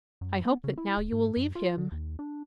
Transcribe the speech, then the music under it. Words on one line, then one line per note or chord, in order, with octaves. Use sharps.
I hope that now you will leave him.
F#2
B3
C#3
E4
D1
G#2
F#2
F4
D3
D#2
D4